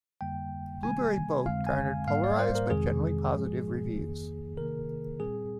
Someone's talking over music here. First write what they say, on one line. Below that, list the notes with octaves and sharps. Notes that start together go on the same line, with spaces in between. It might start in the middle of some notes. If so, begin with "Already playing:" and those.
"Blueberry Boat" garnered polarized but generally positive reviews.
F2 D3 G3 A#3 G5
C3 D#3 G3 A#3 G#5
F2 D3 G#3 C4 F5
G#5
G#2 G3 A#3 F5
D5
C5
A#4
F2 C3 D#3 G#3 C4 G#4
G#2 F3 G#3
F2 D#3 A#3
C3 D#3 A#3 A#4
A#2 G3 C4 G#4